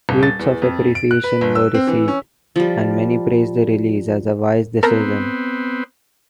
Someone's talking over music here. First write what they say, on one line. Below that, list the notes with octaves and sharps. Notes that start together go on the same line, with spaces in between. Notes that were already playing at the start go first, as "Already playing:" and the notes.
Tweets of appreciation were received and many praised the release as a wise decision.
D#1
A6
E2
F2
D7
F#6
B4
G1
E6
C4
E3
C#4
F3 G3
B3 C4 A4 A#4 A#5